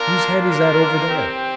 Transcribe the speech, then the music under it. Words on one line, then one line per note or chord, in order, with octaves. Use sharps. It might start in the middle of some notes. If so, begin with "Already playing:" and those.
"Whose head is that over there?"
Already playing: A#3 D4 F4 A#4
A#4
C4 G4